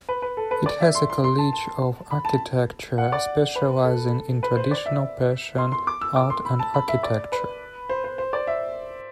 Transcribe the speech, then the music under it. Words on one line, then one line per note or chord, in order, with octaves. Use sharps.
It has a college of architecture specializing in traditional Persian art and architecture.
B4
B4
A4
B4
D5
E5
C6
C6
C6
A5
A5
B5
A5
F#5
D5
B4
A4
B4
C5
D5
E5
C6
C6
D6
E6
D6
C6
B5
A5
B5
E5
D5
B4
C5
C5
C5
D5
E5